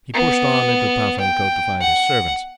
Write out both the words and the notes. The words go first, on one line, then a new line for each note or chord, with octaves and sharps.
He pushed on into Pathankote to find his servants.
B3
G5
F#5